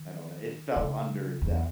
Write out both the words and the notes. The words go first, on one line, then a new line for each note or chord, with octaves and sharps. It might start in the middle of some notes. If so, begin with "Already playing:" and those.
I don't know it fell under that
Already playing: D#3
C#3
E2